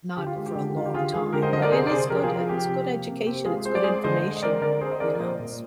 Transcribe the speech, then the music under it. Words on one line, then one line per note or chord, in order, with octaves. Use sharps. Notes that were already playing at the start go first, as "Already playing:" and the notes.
not for a long time, but it is good e it's good education, it's good information. You know, it's
D3 G4
F4
G#3
G4
D3
D3 F4
G4
D3 F4 G#4
G#3 F4 G#4
D3 G4 A#4
C5 D#5
D3 C5 D#5
A#4 D5
C3 G#4 C5
D5
C3 G#4 C5
F3 G4 A#4
F4 G#4
F3
F4
C3 G4
C3
A#3
C3
C4 G4
G#3 F4 G#4
C4 C5
D5
G#3 G#4 C5
D3 C5 D#5
G#3
D#5
C4 A#4 D5
D3 A#4 D5
C4 G#4 C5
D#5
C4 A#4 D5
A#2 C5 D#5
A#2